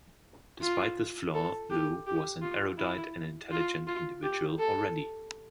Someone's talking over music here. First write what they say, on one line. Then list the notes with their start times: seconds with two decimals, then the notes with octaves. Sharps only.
Despite this flaw, Lou was an erudite and intelligent individual already.
0.62 F4
1.34 A4
1.70 G4
2.07 G4
2.42 F4
2.78 E4
3.51 F4
3.87 F4
4.23 G4
4.59 A4